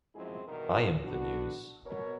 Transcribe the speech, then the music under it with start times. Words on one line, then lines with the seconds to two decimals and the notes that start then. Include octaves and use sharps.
I am the news.
0.15 F#2 F3 G#3 C4 E4 G#4
0.47 E2 G2 B2 D#3 A#4
1.04 D3 B3 D4 F#4
1.86 B2 A#4 C#5